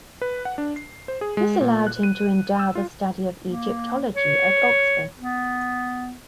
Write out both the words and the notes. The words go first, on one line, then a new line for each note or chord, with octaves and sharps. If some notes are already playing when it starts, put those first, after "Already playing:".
This allowed him to endow the study of Egyptology at Oxford.
B4
F#5
D4
C7
C5
G#4
G#3
A#2
F#6
D#7
E6
F4
A#3
C#5
B3